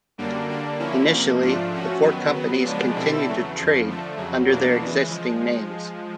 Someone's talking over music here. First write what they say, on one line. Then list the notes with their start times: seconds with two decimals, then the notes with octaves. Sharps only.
Initially, the four companies continued to trade under their existing names.
0.18 F#2 D3 G3 A#3 D4
0.48 D3 G3 A#3 D4
0.79 D3 F3 A#3 C#4 E4
1.10 C3 F3 A#3
1.40 G#2 F3 A3 D4 F4
1.71 F3 A3 C#4 F#4
2.02 F#2 D#3 F#3 B3
2.33 C#3 F#3 B3
2.63 C#3 F3 G#3 B3 D4
2.95 B2 G3 C4 E4 A4
3.25 E2 C#3 F#3 A3
3.56 F2 C#3 F3
3.87 D3 F3 A3
4.17 F2 C#3 F#3
4.48 E2 B2 F#3 A#3 D4
4.78 C#3 E3 G#3
5.10 F3 G#3